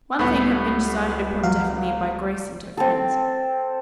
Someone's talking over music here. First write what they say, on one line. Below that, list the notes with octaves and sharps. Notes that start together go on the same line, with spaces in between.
One thing had been decided upon definitely by Grace and her friends.
C#2 A2 G3 B3
F#3 F5
C4 A4